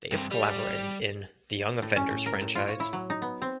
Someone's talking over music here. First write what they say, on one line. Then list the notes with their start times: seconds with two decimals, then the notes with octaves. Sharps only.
They have collaborated in "The Young Offenders" franchise.
0.12 G2 C4
0.31 G3
1.82 A2
1.96 C#4
2.10 A2
2.26 A#4
2.41 A2
2.55 F4
2.68 C#5
2.80 E4
2.93 F#3
3.10 D#4
3.22 B3
3.42 C4